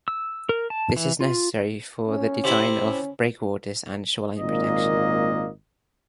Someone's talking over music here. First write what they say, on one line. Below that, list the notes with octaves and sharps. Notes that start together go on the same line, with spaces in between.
This is necessary for the design of breakwaters and shoreline protection.
E6
A#4
A5
E3
F4
C#4
C3 E4
C#4
G#1 A#2 A#3 D#5